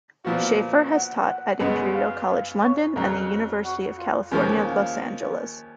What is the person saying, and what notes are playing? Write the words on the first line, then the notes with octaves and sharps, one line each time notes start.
Schaffer has taught at Imperial College London and the University of California, Los Angeles.
A#2 F3 B3 F#4 F5
F#5
F#5
F#2 C#3 G#3 B3 D#5
F5
F5
C#5
F2 C#3 F#3 A#4
F#4
F4
D#2 C#3 F3 A#3 C#4
F5